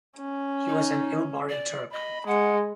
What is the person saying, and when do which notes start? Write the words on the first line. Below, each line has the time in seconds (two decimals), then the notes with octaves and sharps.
He was an Ilbari Turk.
0.18 C#4
0.68 D#4
1.49 D5
1.92 D#5 B5
2.27 G#3 F#5